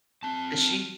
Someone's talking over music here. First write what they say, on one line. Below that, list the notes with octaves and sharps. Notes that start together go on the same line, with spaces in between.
And she
C4 A5